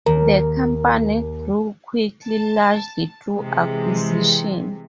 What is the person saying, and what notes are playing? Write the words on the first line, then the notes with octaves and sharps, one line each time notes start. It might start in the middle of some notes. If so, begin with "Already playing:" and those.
The company grew quickly, largely through acquisition.
D#2 A#4
A5
C3 E3 G#3